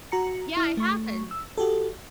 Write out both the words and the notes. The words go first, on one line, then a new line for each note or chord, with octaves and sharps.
Yeah, it happen.
F#4 A#5 C#7
E4 F6
A3 C#6
E6
F#4 G4 A4